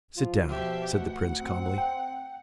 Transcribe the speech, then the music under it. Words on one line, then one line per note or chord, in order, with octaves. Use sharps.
"Sit down," said the Prince calmly.
F3 F4
B2 F3 G4 E5
D2 F#5
C4
G5